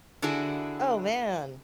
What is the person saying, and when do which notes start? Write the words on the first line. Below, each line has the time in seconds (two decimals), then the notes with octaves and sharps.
Oh, man.
0.22 D3 D4 E4 F#4 G#4